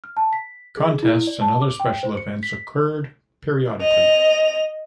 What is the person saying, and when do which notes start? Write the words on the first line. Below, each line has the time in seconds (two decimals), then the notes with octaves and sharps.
Contests and other special events occurred periodically.
0.04 F6
0.17 A5
0.33 B6
0.77 G#4
1.03 E4
1.27 D5
1.41 A5
1.62 D6
1.80 G5
2.03 C5
2.17 C#7
2.43 B6
3.81 D#5 F7